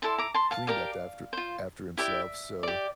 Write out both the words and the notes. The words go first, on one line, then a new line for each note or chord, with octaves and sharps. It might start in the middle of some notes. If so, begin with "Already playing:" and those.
cleaned up after after himself, so,
E4 A4 D5 A5 C6
A#5 D6
A5 C6
F5 A5
G4 A#4 D5 F5
F4 C5
E4 G4 D5 E5
G4 D5